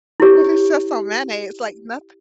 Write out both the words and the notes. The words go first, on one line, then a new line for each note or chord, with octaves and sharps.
But it's just on mayonnaise, it's like nothing.
E4 G4 C#5